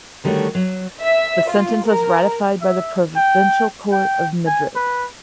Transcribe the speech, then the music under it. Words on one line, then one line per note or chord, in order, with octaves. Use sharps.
The sentence was ratified by the Provincial Court of Madrid.
D3 D#3 G3 A3 F#4 C#5
F#3
E5
F4
A#4
E5
G5
G5
G#5
B4